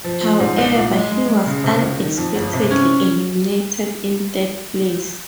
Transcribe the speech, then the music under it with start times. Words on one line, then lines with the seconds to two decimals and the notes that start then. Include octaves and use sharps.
However, he was unexpectedly eliminated in third place.
0.04 F3
0.21 F3
0.40 G#2
0.58 C2
0.75 A#2
0.93 G#3
1.12 G#3
1.29 G#3
1.46 C#3
1.64 C3
1.82 C#2
1.99 D#3
2.18 F2
2.35 G1
2.54 C3
2.71 C#4